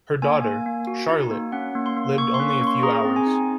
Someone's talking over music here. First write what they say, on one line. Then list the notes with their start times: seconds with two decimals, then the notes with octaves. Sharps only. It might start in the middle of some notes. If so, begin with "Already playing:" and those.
Her daughter, Charlotte, lived only a few hours.
0.22 A#3 G#5
0.44 A#3
0.66 A#3
0.87 F#4
1.09 D#4
1.31 A#3
1.52 C#4 F#5
1.75 A#3
1.86 C6
1.97 A#3
2.18 A#3 C#6
2.34 C6
2.40 C#4
2.50 C#6
2.61 A#3
2.67 C6
2.83 G#4 A#5
3.05 C4
3.16 G#5
3.27 D#4